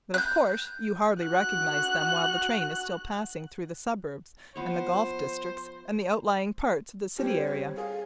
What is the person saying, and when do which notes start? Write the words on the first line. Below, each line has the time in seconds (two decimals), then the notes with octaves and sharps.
But of course you hardly recognize them while the train is still passing through the suburbs and the golf district and the outlying parts of the city area.
0.14 F#6 G6
1.23 F#4 F#6
4.56 F3 B3 C5 C#5
7.19 G3 C4 C#5
7.77 G#4 F5